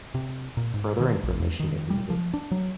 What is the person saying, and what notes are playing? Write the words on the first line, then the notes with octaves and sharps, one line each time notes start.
Further information is needed.
C3
A#2
G#2
D#3
A#1
E2
D#3
G3
F3
D4
F#3